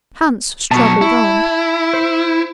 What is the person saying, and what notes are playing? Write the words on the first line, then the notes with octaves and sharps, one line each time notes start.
Hans struggled on.
B2 F#3 A5 C#6
E4
C5